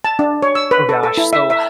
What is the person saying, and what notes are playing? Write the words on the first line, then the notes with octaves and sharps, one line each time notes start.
Oh gosh, so,
A5
D4
C#5
E6
B4
A4
A4
E4
E5
E5